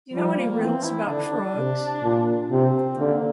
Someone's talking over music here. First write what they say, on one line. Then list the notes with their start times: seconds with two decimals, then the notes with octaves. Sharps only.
Do you know any riddles about frogs?
0.13 F3 G3
0.38 A#3
0.50 A#3
0.60 E3 C4
0.84 E4
1.08 D3 D4
1.32 D4
1.56 C3
2.04 A#2
2.50 C3 C4
2.97 D3 A#3